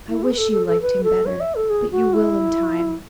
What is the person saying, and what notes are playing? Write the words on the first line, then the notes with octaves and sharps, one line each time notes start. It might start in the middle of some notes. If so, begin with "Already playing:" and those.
I wish you liked him better!--but you will in time.
E4
G#4
B4
A4
A4
A4
B4
A4
C#5
E5
A4
G#4
F#4
E4